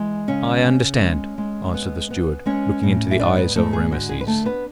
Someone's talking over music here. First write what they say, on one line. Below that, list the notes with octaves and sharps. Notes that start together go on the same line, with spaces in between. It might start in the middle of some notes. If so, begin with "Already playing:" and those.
"I understand," answered the steward, looking into the eyes of Rameses.
Already playing: E3 G#3
C#3 C#4 C#5
C#3
G#3
G#3
B3
B3
G#3 C#4 C#5
A2
E5
G#2 D4 D5
B3 B4
G#2 A3 A4
G#4
D3 F#4
G#4
B4
A3 D4 A4
B3 B4